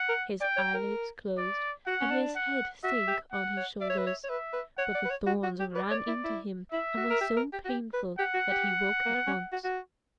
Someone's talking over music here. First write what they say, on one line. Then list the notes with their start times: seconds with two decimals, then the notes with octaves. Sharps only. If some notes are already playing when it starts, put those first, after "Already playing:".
His eyelids closed, and his head sank on his shoulders, but the thorns ran into him and were so painful that he awoke at once.
Already playing: F#5
0.08 A#4
0.41 D5 G5
0.56 C#5
0.74 A#4
1.38 D5
1.86 F#4 F#5
2.01 C#4
2.11 D4
2.36 F#5
2.83 F#4 E5
3.08 G4
3.32 F#5
3.57 C#5
3.81 D5 E5
3.90 C#5
3.98 B4
4.07 C#5
4.24 C#5
4.29 B4 E5
4.53 B4
4.77 C#5 F#5
4.95 D5
5.05 B4
5.10 C#5
5.27 F#4
5.43 F#4
5.60 G4
5.75 B4 D5
5.91 C#5
6.07 E4
6.24 E4
6.72 E4 E5
6.97 F#4
7.10 A#4
7.21 G4
7.37 A#4
7.53 G4
7.65 F#4
7.69 G4
7.93 B4
8.19 G4 F#5
8.34 F#4
8.50 G4
9.05 A#3
9.15 B3
9.27 C#4
9.52 F#4
9.64 F#4